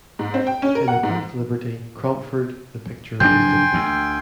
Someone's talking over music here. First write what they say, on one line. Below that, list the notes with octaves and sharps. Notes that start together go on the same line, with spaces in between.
In a fourth liberty, Cromford, the picture was different.
G#2
C4
G5
C#4
A#4
F#5
G#2
F#1 F2 D4 G5 G#5 C6 G6
D2